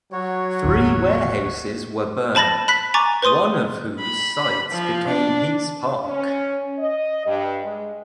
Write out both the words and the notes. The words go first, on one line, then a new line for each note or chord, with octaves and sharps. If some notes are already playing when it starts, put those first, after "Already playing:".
Three warehouses were burned, one of whose sites became Peace Park.
F#3 F#4 C#5
E1 A1 D2
C5 A5 B5 A6 A#6
B5 F#6 B6
G#5 A#5 C#6 D6 A6
B4 C5 C6 D#6 D#7
B5
F3
D4
C#4
D#5
G2
G#3